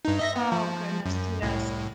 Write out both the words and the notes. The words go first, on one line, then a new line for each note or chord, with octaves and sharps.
Oh, goodness, yes.
G2 D#4
D#5 E5 A#6
B3
F3
F#2
C2 A2